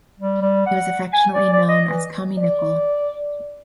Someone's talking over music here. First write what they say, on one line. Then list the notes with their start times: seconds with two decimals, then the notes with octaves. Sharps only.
He was affectionately known as Tommy Nicol.
0.19 G3
0.42 G3
0.66 F#5
1.13 G#5
1.34 D5
1.52 D5
1.68 D#5
1.87 E3
2.38 D5